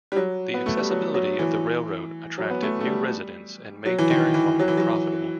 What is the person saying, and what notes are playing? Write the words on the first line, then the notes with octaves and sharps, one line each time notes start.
The accessibility of the railroad attracted new residents and made dairy farming profitable.
G3
F#3
B3
A3
G3
F#3
F#3
E3
F#3
B3
A3
A3
G3
F#3
E3
D#3
E3
F#3
E3
F#3